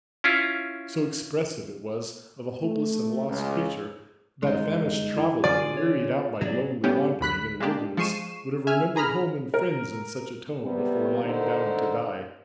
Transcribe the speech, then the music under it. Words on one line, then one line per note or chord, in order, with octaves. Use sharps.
So expressive it was, of a hopeless and lost creature, that a famished traveller, wearied out by lonely wandering in a wilderness, would have remembered home and friends in such a tone before lying down to die.
C#4 E4 F4
A3
C#2
G1 F#2 G#3 D#4
E4
D2 D3 C4 F4 G#4 D5 G#5
C#5
G#2 B2 F#3 B3 G#4 C#5 D5
A2 G3 B3 C#4 D4 G4
D2 B5 F#6 B6
G#3 A#3 D4 G4
F3 G#3 C#6 C7 D#7 E7
E5 G#5 F6
G#4 A#5 B5 F6
A#4
C3 G3 B3
D3 D#3 D#4 A#4 C5